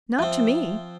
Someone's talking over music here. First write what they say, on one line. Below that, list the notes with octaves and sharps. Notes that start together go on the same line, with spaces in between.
"Not to me."
F3 C4 E5